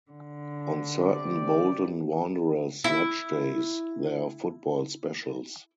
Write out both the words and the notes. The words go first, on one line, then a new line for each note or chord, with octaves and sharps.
On certain Bolton Wanderers matchdays there are football specials.
D3
C3 G4 D5
E4 E5